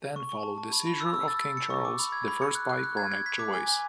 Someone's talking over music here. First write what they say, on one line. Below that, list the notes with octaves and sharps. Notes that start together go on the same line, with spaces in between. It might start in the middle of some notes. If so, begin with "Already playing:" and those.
Then followed the seizure of King Charles the First by Cornet Joyce.
C#6
C#6
A5
A5
B5
B5
E6
E6
A6
A6
C#7
C#6
D6
B5
G#6
B5
C#7
F#6
F#6
F#6
G#6
G#6
B6
D6
G#5
G#5